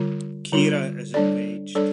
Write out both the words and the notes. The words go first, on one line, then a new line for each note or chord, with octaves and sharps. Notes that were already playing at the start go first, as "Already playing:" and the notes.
Kira is enraged.
Already playing: D3 G3 F4
D3 G3 F4
G3 D4 A4 D5
G3 D4 A4 D5